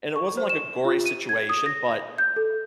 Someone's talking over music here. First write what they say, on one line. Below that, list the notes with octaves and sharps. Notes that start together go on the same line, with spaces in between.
and it wasn't, like, a gory situation, but
C#6
C5
E7
F4
D#7
G#6
D#6
A#6
G6
A4